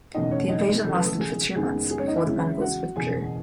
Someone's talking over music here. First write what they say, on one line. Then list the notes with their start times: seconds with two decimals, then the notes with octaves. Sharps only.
The invasion lasted for two months before the Mongols withdrew.
0.14 F#1 E2 B2 A3 C#4 D#4 D#5
0.31 C#4 C#5
0.49 D#4 D#5
0.84 E1 E2 C#3 A4
0.94 B4
1.04 A3 A4
1.19 G#4
1.55 F#1 F#2 D#3 G#3 B3 G#4
1.91 G#4
1.99 C#4 C#5
2.08 D#4 D#5
2.17 E4 E5
2.25 E2 C#3 G#3 C#4
2.60 F#4 F#5
2.96 F#1 E2 B2 G#4 G#5